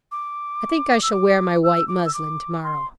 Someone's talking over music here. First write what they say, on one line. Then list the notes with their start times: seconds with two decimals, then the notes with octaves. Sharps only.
I think I shall wear my white muslin tomorrow.
0.11 D6
1.02 E6
1.12 D6
1.63 E6
1.88 D6
2.05 E6
2.14 D6
2.63 C6